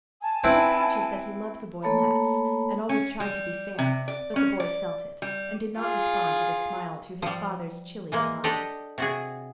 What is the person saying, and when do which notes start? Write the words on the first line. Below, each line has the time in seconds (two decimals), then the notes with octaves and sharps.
He was conscious that he loved the boy less, and always tried to be fair; but the boy felt it, and did not respond with a smile to his father's chilly smile.
0.21 G#5 A5
0.44 C4 E4 B4
1.83 A3 A#3 A4 C#5 A5 B5
2.89 C#4
3.20 G3
3.78 C3
4.08 D5
4.36 C#4
4.60 D5
5.22 G3
5.77 F4 G#4
7.22 F3 G3
8.12 E3 G#3 A#3
8.44 D4 G4 A4 D5 D#5
8.98 C3 F#4 G#4